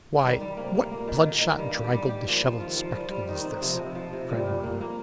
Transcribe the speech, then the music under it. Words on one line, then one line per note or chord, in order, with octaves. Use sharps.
'Why what bloodshot, draggled, dishevelled spectacle is this!' cried Mortimer.
D#3 G3
G3
C3 A#3
A#3
A#2 A#3
D#3
D#3
D#3
G2 G3
G4
G3
G4
A#2 F3
F3
D#3 F4
F3
G3
G3
D#3 D#4
C4
C3 F3
C3
F3
C3
A#2 G3
A#2
A#3
A#3